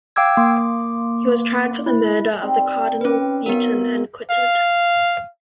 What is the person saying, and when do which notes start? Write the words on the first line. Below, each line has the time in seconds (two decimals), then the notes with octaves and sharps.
He was tried for the murder of Cardinal Beaton and acquitted.
0.16 F5 G5 D6 E6 G#6
0.37 A#3 C6 D6
1.86 E4
2.41 G3 C4 D#4
3.01 C#4 B4
3.46 F#3 A#3 B3 D#4 A#4
4.30 F5